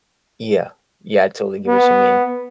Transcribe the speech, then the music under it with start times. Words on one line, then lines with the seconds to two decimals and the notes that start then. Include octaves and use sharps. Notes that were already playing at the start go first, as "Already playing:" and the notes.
Yeah. Yeah, I totally get what you mean.
1.67 B3